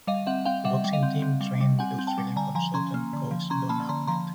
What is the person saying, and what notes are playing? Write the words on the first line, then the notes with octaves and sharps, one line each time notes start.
The boxing team trained with Australian consultant coach Don Abnett.
G3 D#5 F5
C4 E5 F#5
C4 F5 G5
G3 E5 F#5
G3
D#5 F5
C4
C4
G3
G3
C4 F#5 G#5
C4
G5 A5
G3
D3 G#5 A#5
F3 G#5 A#5
C#4 A#5 C6
A#3
D3
F3
C#4 A#5 C6
A#3 A5 B5
D3 A#5 C6
F3 A#5 C6